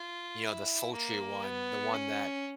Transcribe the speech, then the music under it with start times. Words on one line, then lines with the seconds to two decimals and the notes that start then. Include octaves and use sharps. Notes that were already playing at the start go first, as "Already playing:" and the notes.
you know, the sultry one, the one that
Already playing: F4
0.43 E4
0.93 A#3
1.43 B3
1.93 C#4